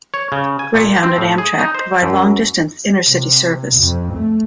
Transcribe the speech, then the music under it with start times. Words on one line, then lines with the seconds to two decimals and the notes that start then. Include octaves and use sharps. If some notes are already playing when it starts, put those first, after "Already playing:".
Greyhound and Amtrak provide long-distance intercity service.
0.14 C#5
0.32 C#3
0.59 G#5
0.74 A#2
1.03 C4
1.18 A2
1.38 G#4
1.59 D#4
1.74 C5
2.03 F#2
3.06 C3
3.79 F2
4.14 A3